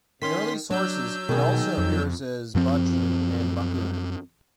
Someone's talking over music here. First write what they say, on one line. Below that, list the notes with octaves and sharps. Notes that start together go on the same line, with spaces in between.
In early sources, it also appears as "Bachun" and "Bacun".
D#3 C#4 C6 B6
F#3 D4 E6 G6
B2 D#3 G#4
F2
F#2 F3 C4